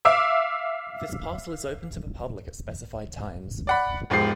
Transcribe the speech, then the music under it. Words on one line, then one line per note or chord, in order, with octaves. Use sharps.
This parcel is open to the public at specified times.
E5 F5 D6 E6
D5 F#5 B5
E1 G#2 F3 G4 C7